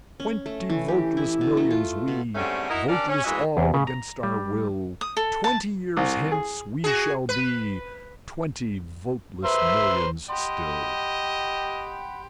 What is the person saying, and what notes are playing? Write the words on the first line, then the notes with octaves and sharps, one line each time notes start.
"Twenty voteless millions we, Voteless all against our will, Twenty years hence we shall be Twenty voteless millions still."
C#4
A3
E3
G4
E4
B2
A3
F4
B2
G#2 D3 G3 A3 C4 C#4
D#4 E4 F#4 A#4 D#5
C#4 D4 G4 A#4 D5
C#4
G#2 E3 G#3 F#4 D#5 E5
E2
C#3
A#5
G3
D#6
A4
A5
C2
G#4
F#4 G#4
B4
B4 C5 E5 A#5
G4 D#5 F#5 B5 C6